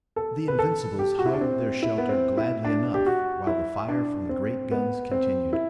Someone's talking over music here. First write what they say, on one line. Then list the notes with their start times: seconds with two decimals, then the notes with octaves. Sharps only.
The Invincibles hugged their shelter gladly enough while the fire from the great guns continued.
0.16 A4
0.48 B4
0.59 A4
0.99 G4
1.19 F#4
1.26 E4
1.34 D4
1.41 C4
1.82 E4
1.98 B3
2.09 C4
2.37 E4
2.64 D4
2.94 G4
3.06 F#4
3.47 E4
3.88 D4
4.29 C4
4.71 B3
5.11 C4
5.53 E4